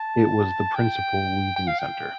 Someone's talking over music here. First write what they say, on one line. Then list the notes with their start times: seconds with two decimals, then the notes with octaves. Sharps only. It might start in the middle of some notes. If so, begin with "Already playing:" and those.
It was the principal weaving centre.
Already playing: A5
0.75 G5
1.56 G5
1.67 F5
1.79 G5